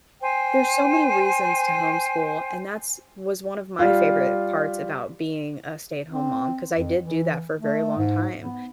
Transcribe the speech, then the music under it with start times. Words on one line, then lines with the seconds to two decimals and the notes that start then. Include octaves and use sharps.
there's so many reasons to homeschool and that's was one of my favorite parts about being a stay-at-home mom 'cause I did do that for a very long time.
0.21 C5 G5 G#5
3.79 G3 F4
6.11 C4
6.77 F2
6.99 E3
7.59 A3
7.98 G#2
8.39 B3